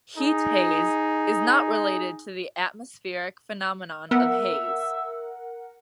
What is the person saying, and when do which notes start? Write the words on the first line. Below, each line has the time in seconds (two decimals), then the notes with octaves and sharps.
Heat haze is not related to the atmospheric phenomenon of haze.
0.17 D#4 G#4
4.11 B3 A#4 E5 F#5